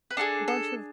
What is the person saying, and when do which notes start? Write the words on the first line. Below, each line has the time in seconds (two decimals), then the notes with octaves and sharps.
a bunch of
0.10 B4
0.17 D4 F4 G#4 A4
0.48 A4